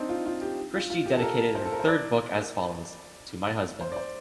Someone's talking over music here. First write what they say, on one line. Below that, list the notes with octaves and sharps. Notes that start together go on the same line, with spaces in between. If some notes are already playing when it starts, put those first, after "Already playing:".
Christie dedicated her third book as follows:To My Husband.
Already playing: C4 D4 D#4
F4
F4
G4
F4
F4
G4
A4
A#4
C5
A4
A#4
C5
D5
C5
D5
C5